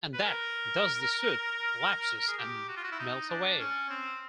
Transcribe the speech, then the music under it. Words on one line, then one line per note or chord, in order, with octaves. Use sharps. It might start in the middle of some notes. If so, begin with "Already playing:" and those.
And that thus the suit lapses and melts away?
B4
A#4
G#4
G4
F#4
F4
F#4
E4
D#4
D4
C#4
C4